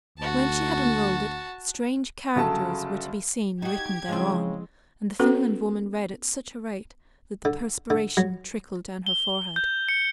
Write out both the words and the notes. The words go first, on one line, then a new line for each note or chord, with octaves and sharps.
When she had unrolled it, strange characters were to be seen written thereon; and the Finland woman read at such a rate that the perspiration trickled down her forehead.
D2 F#4 A5
G1 C#3 F#3 F#4 A4 A5
D#4 F#4 G4 G#6
C#3 F3 G#3 C4 E4
B3 C#4 F#4 A4 B4
D3
D3
F#3
G7
G6
C#7